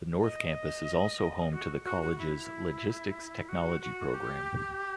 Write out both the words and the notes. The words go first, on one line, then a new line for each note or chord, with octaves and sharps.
The North Campus is also home to the college's logistics technology program.
D#5
F#4
F#4
F#4
E4
F#4
F#4
G4